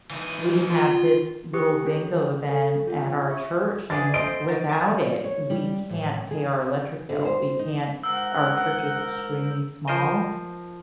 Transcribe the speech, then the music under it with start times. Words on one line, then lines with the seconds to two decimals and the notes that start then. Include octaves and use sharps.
we have this little bingo event at our church, and without it, we can't pay our electric bill, we can't Our church is extremely small,
0.10 E3 D#4
0.70 F4
1.53 G4 G#4 C#6 D#6 F#6 C#7
1.84 A3 C#4
2.49 A4
2.87 F4 G#4
3.30 E5 C#6
3.90 E3 D4 G#4 D5 A6
4.14 A3 G#4 C5 D#5 D7
4.48 D#4 F#4 A#4 A6
4.69 D5 F#5 G#5
5.24 C#5
5.50 G3
5.90 A2
6.31 G#4
7.09 D3
7.25 C5
7.59 D#4
8.03 G#2 A#4 F#5 E6 G6
9.88 F3 A#4 C5 D#5